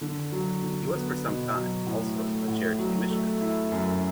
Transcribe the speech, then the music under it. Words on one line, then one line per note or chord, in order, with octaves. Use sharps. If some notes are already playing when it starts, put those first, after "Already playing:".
He was for some time, also, a charity commissioner.
D3
F#3
D3
B3
B2
F#3
A2
A3
A2
F#3
A3
E4
F#2